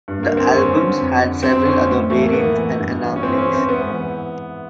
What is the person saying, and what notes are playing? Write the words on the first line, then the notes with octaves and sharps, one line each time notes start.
The albums had several other variants and anomalies.
G2
A#3
D3
C4
G2 C#4
D3
F2
D3
F2 C4
D3 C#4
A2
E3 A3
A#3
A2 B3
E3
G2
E3
C#4
G2 C4
C#4
E3
C4
G#2 B3
E3